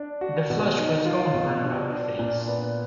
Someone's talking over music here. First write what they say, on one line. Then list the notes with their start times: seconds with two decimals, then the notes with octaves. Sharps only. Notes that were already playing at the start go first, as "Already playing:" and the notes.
The flush was gone from her face.
Already playing: D4
0.21 F#4
0.50 B2
0.77 D#4
1.06 F4
1.34 B2
1.63 D4
1.91 D4
2.19 A#2
2.47 B3